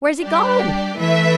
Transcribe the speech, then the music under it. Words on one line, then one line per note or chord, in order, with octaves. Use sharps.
Where's he gone?
G3 D4 G4 D5
E3 A3 E4 B4 E5